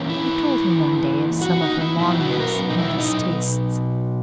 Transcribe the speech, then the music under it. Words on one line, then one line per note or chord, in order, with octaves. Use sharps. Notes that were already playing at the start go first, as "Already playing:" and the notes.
She told him one day of some of her longings and distastes.
Already playing: E3 A#3 C#4
E4
F#4
D#4
E4
B2 F#3 B3 E4
F#4
B4
A#4
D#4
E4
D#4